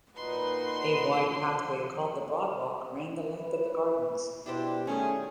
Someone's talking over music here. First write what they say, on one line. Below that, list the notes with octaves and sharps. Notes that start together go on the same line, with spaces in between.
A wide pathway called the Broad Walk ran the length of the gardens.
A#2 D#4 F#4 B4 C6
F3
B4
B2 D4 E4 G4 C5
D#3 G3 A3 C#4 G#4